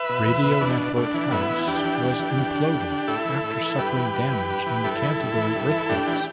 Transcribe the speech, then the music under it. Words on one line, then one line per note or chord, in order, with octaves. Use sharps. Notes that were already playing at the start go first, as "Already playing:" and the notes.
Radio Network House was imploded after suffering damage in the Canterbury earthquakes.
Already playing: B4 E5
B2
E2
B2
E2 D4
B2
A2 D4
E3
A2 B3 E4
E3
E2 D4 G4
E3
E2
E3
E2
D3
E2
D3
A2 E4 A4
E3
A2
E3
G2 G4 B4
E3
G2
E3
G2
E3
G2 E4 A4
E3
G2
E3
G2
E3
A2 D4 G4
E3